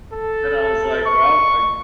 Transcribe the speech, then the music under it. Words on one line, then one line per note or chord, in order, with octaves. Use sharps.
and I was like, "Well, I g"
A4
C#6